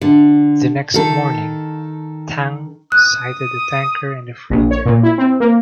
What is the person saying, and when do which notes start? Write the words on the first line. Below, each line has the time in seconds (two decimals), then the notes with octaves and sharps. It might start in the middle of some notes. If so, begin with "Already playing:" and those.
The next morning, "Tang" sighted a tanker and a freighter.
0.01 D3
0.94 D#3 A4
2.92 D#6 F#6
4.50 A#1
4.71 C#5
4.86 A#2
5.03 E4
5.18 C4
5.40 A#3